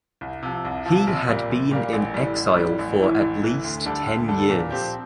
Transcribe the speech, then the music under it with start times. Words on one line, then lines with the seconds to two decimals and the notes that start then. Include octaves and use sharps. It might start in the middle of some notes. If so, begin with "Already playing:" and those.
He had been in exile for at least ten years.
0.21 C2
0.43 C3 F3
0.65 C2
0.86 C3 F3
1.07 A#1
1.28 A#2 G3 A#3
1.50 A#1
1.71 A#2 G3 A#3
1.93 A1
2.14 A2 G3
2.36 A1
2.57 A2 G3
2.79 A1
3.00 A2 E3
3.21 A1
3.42 A2 E3
3.64 D2
3.86 D3 G3 D4 A4
4.07 D2
4.28 D3 G3 D4 A4
4.50 A#2
4.71 F3 C4 G4